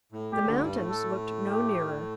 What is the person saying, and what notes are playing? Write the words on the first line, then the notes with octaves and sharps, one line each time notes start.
The mountains looked no nearer.
A2
A#2 G4
D2 D3
G2 G3
A2 A3
A4
G4